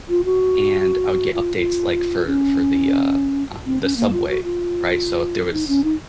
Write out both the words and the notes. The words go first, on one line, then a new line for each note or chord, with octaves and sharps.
and I would get updates, like, for for the, uh, um, the subway, right? So if there was,
F4
F#4
F4
F4
C#4
C4
C#4
A#3
F4
F#4
F4
D#4
C#4
D#4